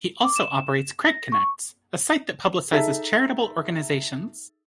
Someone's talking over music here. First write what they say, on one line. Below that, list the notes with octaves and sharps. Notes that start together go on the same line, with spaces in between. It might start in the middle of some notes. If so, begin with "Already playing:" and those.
He also operates Craigconnects, a site that publicizes charitable organizations.
D6
E7
A#6
C#6
D#4 G#4 A4 E5 B6